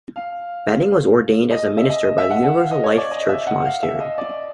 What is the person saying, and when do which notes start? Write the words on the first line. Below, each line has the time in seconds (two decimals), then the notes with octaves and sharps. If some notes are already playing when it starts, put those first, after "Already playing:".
Bening was ordained as a minister by the Universal Life Church Monastery.
0.16 F5
1.51 D#5
1.77 E5
1.90 D#5
2.04 D#5
2.18 E5
2.30 F#5
2.44 F#5
2.57 F5
2.71 D#5
2.84 C#5
2.98 D5
3.11 D#5
3.29 E5
3.47 F#5
3.65 F5
3.83 E5
4.00 D#5
4.18 D5